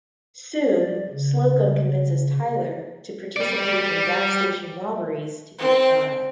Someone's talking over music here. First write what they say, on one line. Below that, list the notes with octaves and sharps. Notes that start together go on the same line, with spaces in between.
Soon, Slocum convinces Tyler to participate in gas station robberies to get by.
D5
C#3
G3 D5
C4